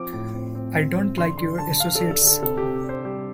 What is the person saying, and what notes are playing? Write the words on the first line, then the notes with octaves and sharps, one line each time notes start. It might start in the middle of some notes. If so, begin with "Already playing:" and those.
I don't like your associates.
Already playing: F3 C4 D6
A2
C4
C4
C4
C4
D3 C6
D3 C6
D3 A5
D3 F5
D4 A4
A4
D3
A4
C3 A4
G4
C3
D4
C5
G3 G4